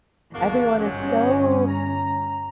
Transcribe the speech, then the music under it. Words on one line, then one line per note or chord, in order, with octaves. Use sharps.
everyone is so,
G#1 E2 A#3 D4 F#4
G1 F#3 G#3 C#4 G4
A#5